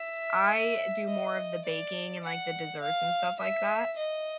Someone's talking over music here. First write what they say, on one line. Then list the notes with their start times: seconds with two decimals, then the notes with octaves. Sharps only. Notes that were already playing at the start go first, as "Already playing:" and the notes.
I do more of the baking, and, like, the desserts, and stuff like that.
Already playing: E5
1.08 D#5
1.65 D5
2.24 F#5
2.82 F5
3.40 E5
3.97 D#5